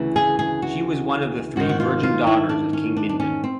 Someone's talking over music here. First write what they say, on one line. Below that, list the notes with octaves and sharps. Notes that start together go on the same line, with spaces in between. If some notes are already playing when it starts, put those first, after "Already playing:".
She was one of the three virgin daughters of King Mindon.
Already playing: D2 C#3 E3
G#4
G#4
F#4
G#2 D#3 F#4
F#4
F4
F4
E4
D4
C#4
D4
D4
C#4
C4